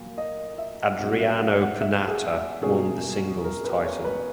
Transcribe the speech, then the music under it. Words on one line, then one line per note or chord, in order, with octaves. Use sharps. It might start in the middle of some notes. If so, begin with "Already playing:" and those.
Adriano Panatta won the singles title.
Already playing: A#2 F#3 A#3
D#5
E5
B2 F#3 C#4 F#5
E5
F#5
F#5
E5
G#4
E5
B2 F#3 A#3 C#4 G#4
A#4
B4
C#5
B4